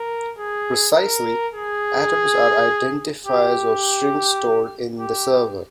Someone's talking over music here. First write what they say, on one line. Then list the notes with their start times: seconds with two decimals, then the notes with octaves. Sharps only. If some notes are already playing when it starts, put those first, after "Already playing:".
Precisely, atoms are identifiers of strings stored in the server.
Already playing: A#4
0.38 G#4
0.96 A#4
1.54 G#4
3.27 G4
4.99 G4